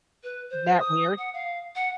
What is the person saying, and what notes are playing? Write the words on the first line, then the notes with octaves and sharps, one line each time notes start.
Isn't that weird?
B4
C5
D#6
F#5
F5
F#5